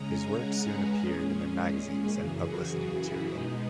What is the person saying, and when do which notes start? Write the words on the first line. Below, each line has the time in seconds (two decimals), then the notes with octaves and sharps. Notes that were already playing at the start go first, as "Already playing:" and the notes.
His work soon appeared in their magazines and publicity material.
Already playing: C#3 G#3 C#4 A#5
0.09 G#5
0.37 F#5
0.67 B4
0.96 A#2 G#3 C#4 G#4
1.26 G#4
1.55 G#4
2.13 F#2 C#3 E3
2.43 F#4
2.73 G#4
3.02 E4
3.30 B2 G#3 B3 D#4